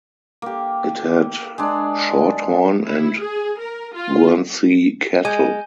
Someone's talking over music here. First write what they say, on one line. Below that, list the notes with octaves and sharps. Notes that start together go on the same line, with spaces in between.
It had Shorthorn and Guernsey cattle.
A#3 G4
G#3 D4
E4
G#4
A#4
F4
G#3 G#5 G6